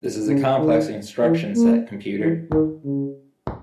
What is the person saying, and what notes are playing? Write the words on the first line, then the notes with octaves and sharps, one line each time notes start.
This is a complex instruction set computer.
C#3
D#3
E3
A#3
E3
D#3
C#3